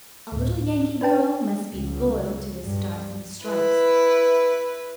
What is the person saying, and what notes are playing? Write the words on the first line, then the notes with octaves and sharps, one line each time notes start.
A little Yankee girl must be loyal to the Stars and Stripes.
D2 A2
D4 B4 G5 A5
C#2
G2
E4 B4